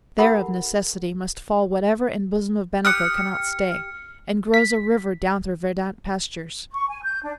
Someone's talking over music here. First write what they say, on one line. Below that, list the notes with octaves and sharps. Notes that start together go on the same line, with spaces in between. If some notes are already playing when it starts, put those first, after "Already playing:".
There of necessity must fall whatever In bosom of Benaco cannot stay, And grows a river down through verdant pastures.
E4 G4 A4 A#4 F#5 B5
G4 D#6 F6 F#6 C#7
B6
C#6
G#5
G6
D4